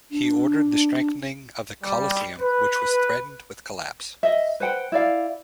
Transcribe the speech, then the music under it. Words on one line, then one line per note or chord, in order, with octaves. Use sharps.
He ordered the strengthening of the Colosseum, which was threatened with collapse.
D4
G3
B4
D#5 E5
B4 C5 F#5 G5
E4 D5 F5